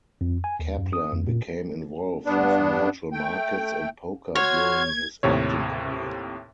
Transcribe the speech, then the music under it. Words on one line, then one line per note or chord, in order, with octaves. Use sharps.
Kaplan became involved in financial markets and poker during his acting career.
F2
G#5
D#2
F#2
D#6
F2
A#2
G2 B3 D4
A3 G5
F#4 C#5 C6 F6 G#6
D#2 A2 C3 C#5